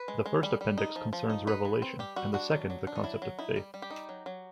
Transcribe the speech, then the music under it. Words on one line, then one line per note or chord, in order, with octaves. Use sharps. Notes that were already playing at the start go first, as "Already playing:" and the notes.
The first appendix concerns revelation and the second the concept of faith.
Already playing: B4
G#3
G#3
G3
G3
D#4
F3
F3
D#4
D#4 B4
E3
C4
G3 G4
G3 F#4
D4 F#4
F#3
F#3
D4
D#4
F#3 E4
F#3
D#4 E4
G3
G3
G4
D#4
F#3
F#3